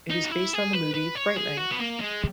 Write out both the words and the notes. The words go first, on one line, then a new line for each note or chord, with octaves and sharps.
It is based on the movie "Fright Night".
D#4
F#4
E4
G#4
B4
B4
C#5
G#4
F#4
B3
A#3
G#3